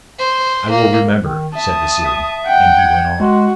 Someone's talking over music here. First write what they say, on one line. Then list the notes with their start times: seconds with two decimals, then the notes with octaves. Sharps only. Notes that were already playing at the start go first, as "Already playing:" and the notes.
'I will remember,' said Vassili, and he went on.
0.19 C5
0.70 A#3
1.24 D#3
1.55 E5 A5 D#6
2.03 E5
2.46 F#5 G5
2.77 G#6
3.20 G#3 F#4